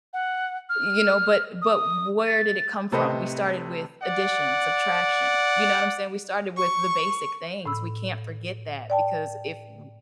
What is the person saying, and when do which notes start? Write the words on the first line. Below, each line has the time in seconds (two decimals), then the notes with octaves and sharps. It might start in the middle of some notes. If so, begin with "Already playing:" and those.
you know, but but where did it come from? We started with addition, subtraction. You know what I'm saying? We started with the basic things. We can't forget that because if w
0.13 F#5
0.69 F6
1.62 D#6
2.27 A6
2.92 A2 C3 A4 B4 C5 D#5
4.01 D5 F#5
6.57 C#6
7.66 A2 B5 E6
8.90 D5 G5 A5